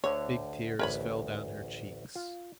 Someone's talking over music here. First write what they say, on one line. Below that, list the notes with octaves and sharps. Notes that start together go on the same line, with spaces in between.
Big tears fell down her cheeks.
D2 D3 C#5
A1 D2 A#4 B4 C#5 B5
F4